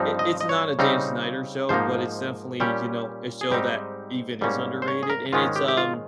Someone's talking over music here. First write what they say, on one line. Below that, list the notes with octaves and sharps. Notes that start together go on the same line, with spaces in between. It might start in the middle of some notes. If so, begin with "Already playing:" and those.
i it's not a Dan Snyder show, but it's definitely, you know, a show that even is underrated, and it's um
Already playing: G2 F3 C4 D#4
D#5
D#5
C#5
C#3 G3 C4 D#4
G#2 F3 A#3 D#4 C5
A#2 G3 C#4 G4
G#4
G#2 G3 C4 D#4 G4
G#2 G3 A#3 C#4
C5
C#5
G#4
A#4
G#2 D#3 G#3 C#4 F4
G4
G4
F4